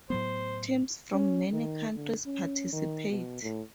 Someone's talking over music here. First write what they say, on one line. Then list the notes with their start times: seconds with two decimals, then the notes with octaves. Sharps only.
Teams from many countries participate.
0.10 A2 F#3 B3 C5
1.14 C#4
1.52 D#3
1.96 D3
2.26 C#4
2.73 D#3
3.10 B2
3.43 A2